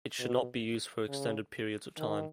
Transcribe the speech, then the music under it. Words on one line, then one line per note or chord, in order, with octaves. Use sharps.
It should not be used for extended periods of time.
B2
C#3
D#3